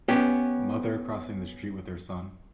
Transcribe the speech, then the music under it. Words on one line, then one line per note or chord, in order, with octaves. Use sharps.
Mother crossing the street with her son.
B3 C#4 G4